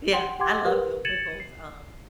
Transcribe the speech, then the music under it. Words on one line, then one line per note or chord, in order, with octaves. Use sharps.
Yeah, I love dill pickles. Um,
F#5 G5 C6
G4 F#5 G5 C6 D6 G#6
G4 A#4 B4
G#6 A6 C#7 D#7 E7 F#7
C7